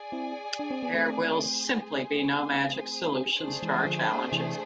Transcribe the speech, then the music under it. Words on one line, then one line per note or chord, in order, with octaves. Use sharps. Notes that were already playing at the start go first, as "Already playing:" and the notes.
There will simply be no magic solutions to our challenges.
Already playing: G#4 D5 G#5
C4 E4
D4
C4
B3
A3 C4
G#4 C5 G#5
A3 D4 G#4 C5
E3 G#3
D3 F3
C3 E3